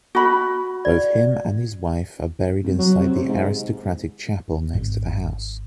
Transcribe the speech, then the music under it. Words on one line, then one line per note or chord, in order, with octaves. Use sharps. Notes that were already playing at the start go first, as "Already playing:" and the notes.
Both him and his wife are buried inside the aristocratic chapel next to the house.
F#4 B5
D5
C2
F#3
C3
C3
G#2
G#1